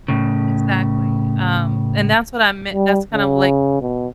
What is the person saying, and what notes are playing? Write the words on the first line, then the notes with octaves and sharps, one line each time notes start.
Exactly. Um, and that's what I meant that's kind of, like,
A2 C#3
G3
C#3
B2